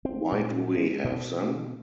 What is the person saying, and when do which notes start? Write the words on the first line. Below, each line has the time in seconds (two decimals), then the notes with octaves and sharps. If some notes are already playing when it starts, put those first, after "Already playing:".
Why do we have them?
0.05 C4
0.32 A#2
0.77 G#3
1.04 B2